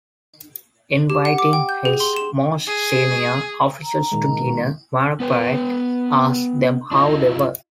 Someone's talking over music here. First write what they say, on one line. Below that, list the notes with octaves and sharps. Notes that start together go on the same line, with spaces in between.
Inviting his most senior officers to dinner, Bonaparte asked them how they were.
G4
F#5
D6
G5
G6
G#4
C6
E7
G#4
A#5
A#2 D#3 G#3
B3 B4 G5
D4 E4 F4 D#5